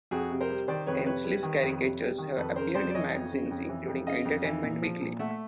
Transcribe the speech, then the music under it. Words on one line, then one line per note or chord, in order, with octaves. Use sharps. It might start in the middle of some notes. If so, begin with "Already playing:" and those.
Emslie's caricatures have appeared in magazines including "Entertainment Weekly".
F2 F#4 G#4
C3
A#4 C5
G3
D#3 C5 D5
F2 B4 C#5
C3 B4 C#5
G3
D#3
F2
C3
G3
D#3
F2 A4 B4
C#3 A#4 C5
F2 C5 D5
D5
E3 C#5 D#5
F2
C#3
F2
E3
F2
C#3 D#5 F5
F2
E3
A#2
F3
A#2
A3 E5 F#5